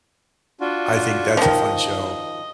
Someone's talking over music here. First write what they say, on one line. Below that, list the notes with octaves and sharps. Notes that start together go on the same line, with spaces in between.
I think that's a fun show.
D4 F4 F#4
D#3 F3 D#5